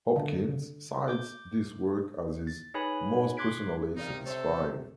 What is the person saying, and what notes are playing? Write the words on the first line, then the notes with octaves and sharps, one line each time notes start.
Hopkins cites this work as his "most personally satisfying".
D3
D6 G6
A6
D#4 G#4 B4 C#5 G#5 B5
C6 D6 F#6 G#6 B6 D7
C3 D#4 A#4 D5 F5
A4 C5 C#5 E5